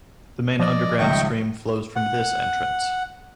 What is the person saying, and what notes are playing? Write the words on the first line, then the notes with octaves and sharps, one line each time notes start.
The main underground stream flows from this entrance.
F3 D5 D#5
G#1 C#2 G3 D#5 E5 G5 C#6
F#5